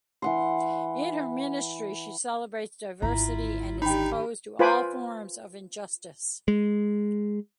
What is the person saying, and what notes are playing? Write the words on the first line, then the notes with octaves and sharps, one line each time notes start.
In her ministry she celebrates diversity and is opposed to all forms of injustice.
E3 F#5 C6
G#1 D3 E4 F4 A#5
D#3 D4 D#4 G4 G5 B5
F4 B4 C5 G#5 B5 D6
G#3